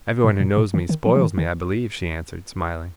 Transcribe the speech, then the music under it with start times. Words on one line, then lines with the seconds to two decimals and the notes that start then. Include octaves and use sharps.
'Everyone who knows me, spoils me, I believe,' she answered, smiling.
0.24 A#2
0.40 A#2
0.57 A#2
0.74 D#3
0.89 D#3
1.06 F3
1.16 F3
1.21 D#3
1.38 D#3